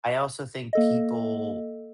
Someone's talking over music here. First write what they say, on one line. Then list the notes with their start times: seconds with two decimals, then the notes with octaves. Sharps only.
I also think people,
0.73 A#3 A4 D#5